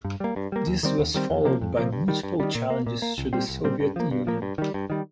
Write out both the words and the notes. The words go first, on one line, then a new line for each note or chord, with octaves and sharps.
This was followed by multiple challenges to the Soviet Union.
G2
G3 A#3
G2
G3 A#3
D#2
D#3 G3 C4
D#2
D#3 G3 C4
F2
C3 F3 A#3
F2
C3 F3 A#3
G2
D#3 G3
G2
D#3 G3
A#2
A#3
A#2
A#3
C2
A#2 G3 C4
C2
A#2 G3 C4
G2
F3 A#3
G2
F3 A#3
G2
D#3 G3
G2
D#3 G3